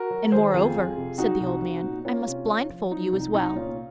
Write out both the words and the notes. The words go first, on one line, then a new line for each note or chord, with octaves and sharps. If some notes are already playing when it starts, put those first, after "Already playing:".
"And moreover," said the old man, "I must blindfold you as well."
Already playing: F#4 A#4
F#3
D#3 G#4 C5
F2 F4 G#4
F2
C3
F#3 D#4 F#4
C2
C4
A#2
A#3 C#4 F4
C3
C#4
F3
F3 D#4
C2 D#4
C2 D#4
A#2 C#4 F4